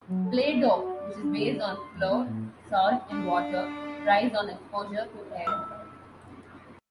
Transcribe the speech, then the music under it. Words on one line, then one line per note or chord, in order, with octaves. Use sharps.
Play-Doh, which is based on flour, salt and water, dries on exposure to air.
F#3
A4
D#5
F#4
D5
D4
D3
D5
C6
E2
B3
A2
D4
E6